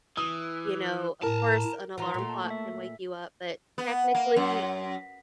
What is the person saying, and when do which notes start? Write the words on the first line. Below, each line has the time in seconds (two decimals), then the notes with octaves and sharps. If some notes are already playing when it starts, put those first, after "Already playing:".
you know, of course, an alarm clock can wake you up, but technically,
0.17 E3 D#6
1.23 A2 A#4 A5 A#5
1.98 E3 F3 F#5 A#5 C6
2.14 A#2 A3
2.29 A5 C#6
2.50 E5
3.78 B3
4.15 A#3
4.36 F#2